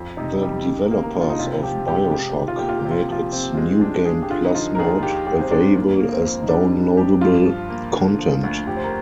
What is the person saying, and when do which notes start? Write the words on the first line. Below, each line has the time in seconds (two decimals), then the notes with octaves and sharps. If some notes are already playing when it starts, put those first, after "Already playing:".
The developers of "BioShock" made its New Game Plus mode available as downloadable content.
Already playing: F2
0.17 C3 D#4
0.41 G3 G4
0.66 D#3 G4
0.84 A#4
0.91 A#3
1.03 A#4
1.14 D4
1.21 F4
1.29 D#4
1.39 C3 F4
1.63 F3 G4
1.87 G#3 G4
2.11 C3 G4
2.36 D#3
2.48 F4
2.59 A#3 G4
2.69 F4
2.79 G4
2.85 C3
2.91 F4
3.00 G4
3.09 F3 F4
3.22 G4
3.33 C4 F4
3.43 G4
3.54 G#3 F4
3.81 D4
4.05 G#4
4.23 G4
4.30 D3 F4
4.45 D#4
4.55 F3 F4
4.75 A#4
4.79 D#2 G#4
5.03 D#3 G4
5.27 G#3 G4
5.41 C4
5.51 G#2 D4
5.76 D#3 A#3
6.00 A#3
6.12 C4
6.25 F2
6.42 D#4
6.48 G3 D4
6.72 D4
6.97 G4
7.21 G2 F4
7.46 F3
7.70 A#3
7.94 D3
8.19 F3
8.43 D2
8.67 F2 G4
8.77 C5
8.84 A#4